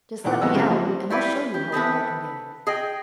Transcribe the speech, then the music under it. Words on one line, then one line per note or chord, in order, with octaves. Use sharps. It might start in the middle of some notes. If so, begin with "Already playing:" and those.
"Just let me out and I'll show you how well I can dance."
E2 A#2 D#3 F#5 D6
G#1 F2 D#5 F#5 E6
F#2 C#3 C4 A5
F3 A3 G4 D#5
G3
G3 E4 B4
B4
G4
B3 C4 A4 B4
G#4 D#5 G5